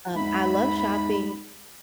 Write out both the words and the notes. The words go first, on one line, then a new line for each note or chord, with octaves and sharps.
Um, I love shopping
E2 G#2 E5 B5